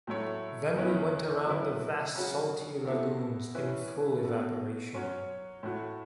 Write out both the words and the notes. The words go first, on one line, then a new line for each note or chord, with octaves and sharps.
Then we went around the vast salty lagoons, in full evaporation.
A2 F#3 A3 E4 C#5
E2 E3 C#4 E4 B4
C#3 F#3 C#4 E4 B4
C#3 F#3 C#4 F#4
B2 B3 E4 A4 E5
E3 C#4 E4 B4
B2 B3 F#4 A4
F#3 C#4 F#4 C#5
A2 A3 F#4